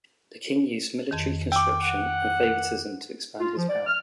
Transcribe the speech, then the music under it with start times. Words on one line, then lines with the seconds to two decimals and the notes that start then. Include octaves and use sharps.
The king used military conscription and favoritism to expand his power.
1.11 F2 D#3
1.52 G5 D6 E6
1.83 F#5
3.40 F4
3.57 F3
3.69 D5
3.87 F6